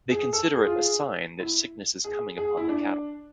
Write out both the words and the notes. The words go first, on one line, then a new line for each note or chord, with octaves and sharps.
They consider it a sign that sickness is coming upon the cattle.
G#4
A4
G#4
F4
G#4
E4
G#4
G#4
E4
D4